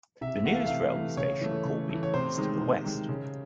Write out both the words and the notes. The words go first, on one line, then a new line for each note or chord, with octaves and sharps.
The nearest railway station, Corby, is to the west.
C3 E5
E3 A3 F5 F#5
E5
C3 F5
E3 A3
C#3 C#5
E3 A3
C#3
E3 A3
C#5
C3 C5
D#3 G#3
C3
D#3 G#3
C#3